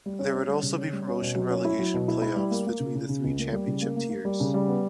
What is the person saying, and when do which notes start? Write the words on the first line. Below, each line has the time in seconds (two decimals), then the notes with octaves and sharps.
There would also be promotion-relegation play-offs between the three championship tiers.
0.06 G3
0.19 C#4
0.34 C#4
0.48 G3
0.62 C#3
0.77 C#4
0.93 G3
1.07 C#4
1.22 B2
1.35 F#3
1.50 C#4
1.65 E4
1.79 F#3
1.94 B2
2.08 E4
2.22 E4
2.36 G3
2.51 A#3
2.66 A#3
2.80 C#3
2.95 C#3
3.09 C#3
3.24 C#2
3.39 A#3
3.53 G3
3.67 C#3
3.81 A#3
3.96 A#3
4.10 A#3
4.25 G3
4.40 C#3
4.54 G3
4.68 B3